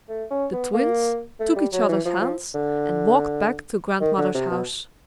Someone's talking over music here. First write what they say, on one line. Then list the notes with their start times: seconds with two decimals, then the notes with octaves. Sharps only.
The Twins took each other's hands, and walked back to Grandmother's house.
0.09 A3
0.31 C#4
0.53 B3
0.74 A#3
1.40 A3
1.56 G3
1.72 F#3
1.88 E3
2.05 F3
2.21 F3
2.54 D3
4.01 D#3
4.17 D3
4.34 C3
4.51 B2